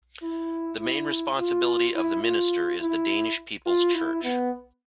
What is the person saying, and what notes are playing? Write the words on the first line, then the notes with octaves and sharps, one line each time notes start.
The main responsibility of the minister is the Danish People's Church.
E4
E4
F4
E4
F4
E4
F4
E4
B3